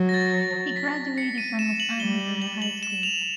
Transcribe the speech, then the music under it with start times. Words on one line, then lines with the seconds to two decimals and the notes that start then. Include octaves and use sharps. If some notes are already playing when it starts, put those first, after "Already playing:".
He graduated from Los Angeles High School.
Already playing: F#3
0.09 A#6
0.14 A6
0.35 A#6
0.76 B6
1.18 C#7
1.38 D#7
1.59 E7
1.80 F#7
2.00 G3 G7
2.42 F#7
2.62 F#7
2.83 E7
3.03 F7